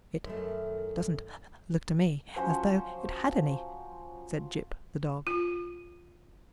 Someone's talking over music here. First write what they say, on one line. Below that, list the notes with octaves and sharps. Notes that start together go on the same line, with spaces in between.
"It doesn't look to me as though it had any," said Jip, the dog.
F#2 D#3 A3
F3 F#3 C#4 C5
F4